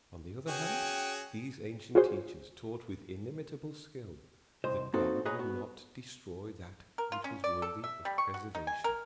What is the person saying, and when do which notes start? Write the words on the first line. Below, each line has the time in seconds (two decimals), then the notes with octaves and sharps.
On the other hand, these ancient teachers taught with inimitable skill that God would not destroy that which was worthy of preservation.
0.48 C#4 F#4 G#4 G5
1.95 F4 F#4 G#4 C5
4.64 C2 C5 D#5
4.93 A#3 C4 D#4 F#4 A4
5.25 G#4 B4 C#5 D#5 F#5 A#5
5.39 B3 F#4
6.98 A#4
7.12 F4
7.24 C#4
7.44 D5
7.62 A4
7.84 E5
8.05 G3
8.18 C#6
8.34 F#4
8.55 D#4
8.67 G#5
8.84 A#4